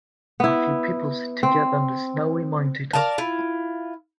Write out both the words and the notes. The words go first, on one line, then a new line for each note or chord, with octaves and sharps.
A few people sit together on the snowy mountaintop.
B3 E4
C4
A#4 D5 F5 A5
E4 F4